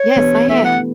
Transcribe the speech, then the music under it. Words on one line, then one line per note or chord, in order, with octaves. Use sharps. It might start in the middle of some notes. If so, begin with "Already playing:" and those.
Yes, I have.
Already playing: C#5
E3 B3 D4 G4 B4
A3 E4 A4 E5
F#5